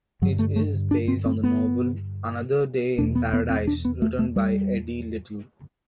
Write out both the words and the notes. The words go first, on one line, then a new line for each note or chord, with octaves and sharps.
It is based on the novel "Another Day in Paradise" written by Eddie Little.
G2 D3 F#3
A3
A3
D4
C4
C4
B3
E2 B2 D4
B3
B3
C4
D4
B3
A3
A3
G3